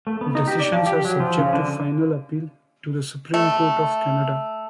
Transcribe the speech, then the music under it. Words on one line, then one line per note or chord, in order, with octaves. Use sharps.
Decisions are subject to final appeal to the Supreme Court of Canada.
A3
B3
D#4
G4
D5
F3
G4
F#3
F3
C#3
D3
A3